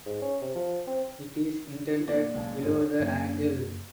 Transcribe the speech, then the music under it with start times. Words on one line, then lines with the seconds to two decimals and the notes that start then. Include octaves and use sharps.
It is indented below the angle.
0.06 G#2
0.22 C#4
0.42 C3
0.55 F3
0.87 C4
2.08 A#2 B3 D5
2.34 B1 C#3 G#3 F5 A5
2.62 F#1 G#2 F4 G#4 C#5
2.74 D#1
3.00 F#2 C#3 A#3